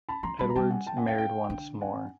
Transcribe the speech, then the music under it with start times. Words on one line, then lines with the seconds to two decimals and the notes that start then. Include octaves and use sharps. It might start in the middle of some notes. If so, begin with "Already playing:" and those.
Edwards married once more.
0.09 A5 B5
0.23 F3 A#5 C6
0.39 G3 A5 B5
0.50 A#5
0.55 G3 G5 A5
0.70 F#5 G#5
0.86 G5 A5
0.97 F#5 G#5
1.07 F5 G5
1.18 F5 G5
1.50 D3
1.81 F#5 G#5